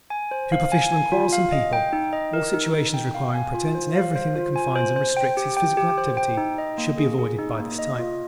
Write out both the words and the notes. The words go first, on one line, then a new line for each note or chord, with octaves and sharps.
Superficial and quarrelsome people, all situations requiring pretence, and everything that confines and restricts his physical activity should be avoided by this type.
G#5
C5
F5
G#5
G#5
F4
F5
D#5
G5
D#4
D#5
A#4
D#4
D#4
G5
F5
G#5
F4
C5
F5
C5
F4
G#5
C5
C5
G5
G4
G5
G4
C5
G5
D#4
D#5
A#3
G#4
G#4
D#4
A#3
D#5
F4